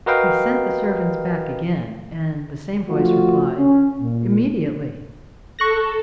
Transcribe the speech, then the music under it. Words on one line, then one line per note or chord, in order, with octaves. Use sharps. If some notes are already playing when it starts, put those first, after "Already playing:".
He sent the servants back again, and the same voice replied, 'Immediately.'
F#4 A#4 B4 D#5 F5 G5
F3 A3 F4 F#4
C#4
A#2
A4 C#6 F#6 A#6